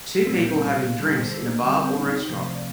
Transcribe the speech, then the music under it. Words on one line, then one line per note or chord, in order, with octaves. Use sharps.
Two people having drinks in a bar or restaurant.
C4
A#2 G3 A#3 D4
C4
C4
D4 F4
D3 G3
D#4 G4
A4 C5
A4 C5
A#3 D4
D3 G3 C4
C4
C4 D#4
C4 D#4
D#4 G4
C3 F3 A3 C5
D5
C5
D5